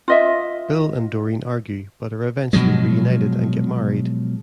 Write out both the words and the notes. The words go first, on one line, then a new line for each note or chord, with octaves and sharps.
Bill and Doreen argue, but are eventually reunited and get married.
F4 D#5 E5
B2 F3 F#3 G#3